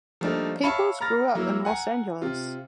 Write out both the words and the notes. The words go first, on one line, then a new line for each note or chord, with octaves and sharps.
Peoples grew up in Los Angeles.
F3 G3 A3 A#3 D4 D#4
C#5 E5 F5 A5 B5 C#7
A#5 B5 F6 A6 A#6
F#3 A#3 E4
F#5 G#5 A#5 C#7
C3 F4